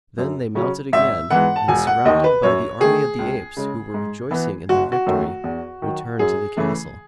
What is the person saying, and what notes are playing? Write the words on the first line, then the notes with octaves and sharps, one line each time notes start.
Then they mounted again and, surrounded by the army of the apes who were rejoicing in their victory, returned to the castle.
F#2
C#3 F#3 C#4
G#1 E5
G#2 E3 B3 F#5
A5
E1 G#5
F#5
D#2 D#3 D#5
B4
F#2 C#5
D#3 A3 G#4
C#2
C#3 G#3
G#2
E3 B3
F#1 F#4
F#4
F#2 D#3 F#3 A3
E2
D#3 F#3
F#2 G#4
C#3 E3 A3